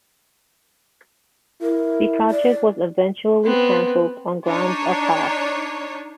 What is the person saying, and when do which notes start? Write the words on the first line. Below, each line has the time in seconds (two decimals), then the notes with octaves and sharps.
The project was eventually cancelled on grounds of cost.
1.62 E4 A#4
2.31 D5
3.45 B3 C4
4.48 D4 D#4 C#5